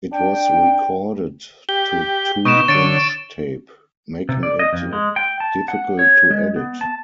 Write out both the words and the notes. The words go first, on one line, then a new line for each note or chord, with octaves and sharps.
It was recorded to two-inch tape, making it difficult to edit.
D4 G5
G4 G7
B2 D#4 C#6 D7 E7
D3 C#5 A6 D7
C3
D5
D#5
F2
G#3
G5
A5
F#5
C#5
G#3
B3
A5